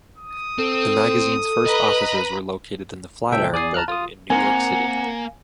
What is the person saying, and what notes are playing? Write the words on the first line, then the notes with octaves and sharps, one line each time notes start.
The magazine's first offices were located in the Flatiron Building in New York City.
D#6
C4 A4
B4 D#5 A#5 B5
C#2 A#2 A4 E5 G5
E2 D5 G#5 D#6 C7
A5 A#5 F6 F#6
F4 D#6
A#3 C4 A#4 F#5 G#5